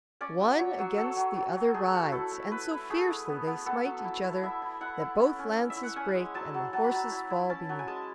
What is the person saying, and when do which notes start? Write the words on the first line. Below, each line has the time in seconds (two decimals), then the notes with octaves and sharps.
One against the other rides, and so fiercely they smite each other that both lances break and the horses fall beneath them.
0.21 C#4 D5
0.39 F#3
0.59 F#3 C#5
0.79 F#3
0.97 F#3 A4
1.16 F#3
1.35 F#3
1.56 F#3
1.74 A3 G#4
1.94 A3 F#4
2.12 E4 A4
2.32 A3
2.51 E4 B4
2.71 E4
2.90 A3 G#4
3.08 E4
3.28 B3
3.47 B3
3.66 B3 A4
3.85 F#3
4.05 E4
4.24 E4
4.43 E4 E5
4.62 E4
4.81 E4 F#5
5.00 E4
5.20 C#4
5.39 C#4
5.57 C#4
5.70 E5
5.77 E4
5.83 F#5
5.96 C#4 G#5
6.15 G#3
6.34 F#3 A5
6.54 F#3
6.73 F#3 A5
6.84 B5
6.92 F#3 A5
7.12 E4
7.30 E4
7.50 C#4 A5
7.69 F#3
7.79 G#5
7.87 G#3 A5